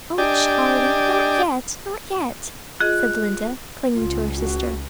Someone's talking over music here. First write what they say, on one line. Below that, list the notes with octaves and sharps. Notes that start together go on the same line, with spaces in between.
'Oh, Charley, not yet, not yet,' said Linda, clinging to her sister.
D4 G4 D5 D#5 G5 G#5
F4 G#4 D#5 F#6
C#2 F4
F#4